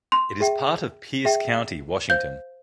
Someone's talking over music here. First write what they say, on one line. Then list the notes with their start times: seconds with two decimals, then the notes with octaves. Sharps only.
It is part of Pierce County, Washington.
0.12 C6
0.40 G#4 E5 G5
1.25 G#4 E5 G5
2.10 C5 F5 G6